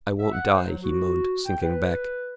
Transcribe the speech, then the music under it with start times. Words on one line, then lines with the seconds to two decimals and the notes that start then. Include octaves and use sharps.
"I won't die," he moaned, sinking back.
0.19 E5
0.33 F#5
0.53 C5
0.66 F#3
0.83 F#4
1.45 G5
1.61 B4